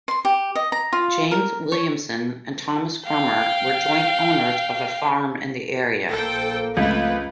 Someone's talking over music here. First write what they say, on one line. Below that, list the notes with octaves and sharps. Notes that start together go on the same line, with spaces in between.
James Williamson and Thomas Crummer were joint owners of a farm in the area.
C6
G4
D#5
A#5
F4
A#4
C#5
F5 G5
A#1 A#3 A4 C5 G5
C#2 F3 A3 C4 B4